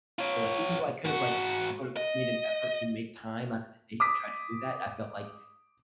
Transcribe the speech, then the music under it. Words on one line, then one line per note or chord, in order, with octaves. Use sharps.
and, so, like, even though I could have like so sort of made an effort to make time out of the day to try to do that, I felt like,
F4 C#5
G#2 F#4
D#5
D6 D#6 B6